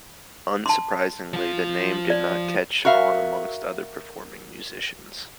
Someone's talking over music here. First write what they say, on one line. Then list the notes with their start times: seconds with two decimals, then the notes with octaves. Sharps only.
Unsurprisingly, the name did not catch on amongst other performing musicians.
0.66 A5 C6
1.33 F3 F4
2.10 D5
2.85 F#4 A#4 E5 F5